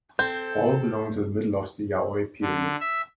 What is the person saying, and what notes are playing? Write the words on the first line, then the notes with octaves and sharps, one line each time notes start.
All belong to the middle of the Yayoi period.
C4 A4 G6
D3
E5